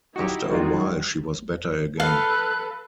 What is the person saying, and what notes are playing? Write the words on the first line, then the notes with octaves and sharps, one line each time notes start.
After a while she was better again.
D#4 E4 F#4 G4
D#3 G3 G#3 F4 F#4
A4 B4 F5 F#6